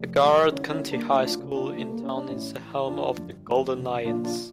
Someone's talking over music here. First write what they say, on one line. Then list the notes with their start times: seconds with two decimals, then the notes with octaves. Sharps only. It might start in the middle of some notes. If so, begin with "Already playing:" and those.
The Garrard County High School in town is the home of the "Golden Lions".
Already playing: F1
0.23 G3
0.52 D3 C#4 E4
0.71 C#4 E4
0.81 G3
0.91 A#3 D4
1.10 D2 C#4 E4
1.25 D4 F4
1.39 C#3
1.54 D4 F4
1.69 G3
1.76 A3
1.90 A#3
1.99 G3 C#4
2.15 D4
2.28 A1 C#4 E4
2.57 E3
2.87 F2 D4 F4
3.17 G1
3.47 F1
3.75 C#3
4.04 A#1 D4 F4
4.24 D4 F4